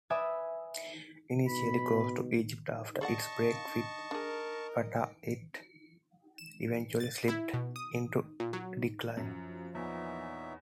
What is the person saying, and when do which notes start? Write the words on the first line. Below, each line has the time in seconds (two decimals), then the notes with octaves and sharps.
Initially close to Egypt after its break with Fatah, it eventually slipped into decline.
0.10 B4 D5 E5 G#5 D#6 E6
1.47 B2 B5
3.01 G#4 D5 D#5 F#5 A5 C#6
4.11 D4 G#4 A#4
6.38 E7
7.00 A6
7.28 E4
7.54 B2
7.76 D#6
8.40 A#2
8.53 F#3
9.17 F#2 F3
9.75 E2 A#2 E3 B3 D#4 C#5 E5